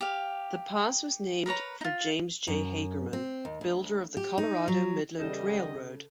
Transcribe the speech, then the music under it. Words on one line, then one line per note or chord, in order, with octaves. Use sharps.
The pass was named for James J. Hagerman, builder of the Colorado Midland Railroad.
G4 F5
A#4 B4 C#5 A#5
D#4 F4
F#2
C4
D#2
D2
G4
D#4
F#3
E2 C#3 G3 A4 D#5 G6 E7